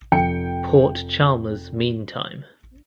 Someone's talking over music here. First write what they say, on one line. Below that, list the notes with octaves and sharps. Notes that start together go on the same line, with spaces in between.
Port Chalmers mean time.
F1 G5 C#7